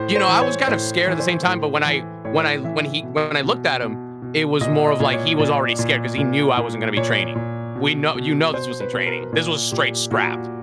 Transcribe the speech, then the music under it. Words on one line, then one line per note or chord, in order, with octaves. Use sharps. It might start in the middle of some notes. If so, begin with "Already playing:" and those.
you know, I was kind of scared at the same time, but when I when I when he when I looked at him, it was more of like he was already scared 'cause he knew I wasn't gonna be training. We know you know this wasn't training, this was straight scrap,
Already playing: A2 C5
C5
E3
C#5
A2 C5
E3
C5
A2
E3
A2 C#5
E3 E5
B2
B2
B2
B2
A#2 D#5
D#5
A#2
C#5
A#2 D5
A#2
A#2
A#2
A#2 C#5
A#2
B2
B2
B2 C5
B4
B2
A#4
A#2
A#2 G4
A#2 F#4